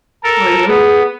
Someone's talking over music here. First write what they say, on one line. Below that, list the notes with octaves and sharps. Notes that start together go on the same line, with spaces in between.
Were you?
A4 A#4
B3 G#4